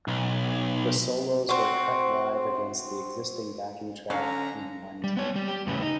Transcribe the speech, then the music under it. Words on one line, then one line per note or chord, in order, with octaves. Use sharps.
The solos were cut live against the existing backing track in one take.
B1
C4 F#4
D3 F#3 C#4 F5 A#5
G3
B3 C#5
G3
G4
A2 C#3 C#4 B4
D#4